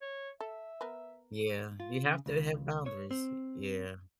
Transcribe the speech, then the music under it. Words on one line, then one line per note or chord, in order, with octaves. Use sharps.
yeah, you have to have boundaries, y yeah.
C#5
A4 E5
B3 A#4 B4
F4
C#3
C#2
C#5
C4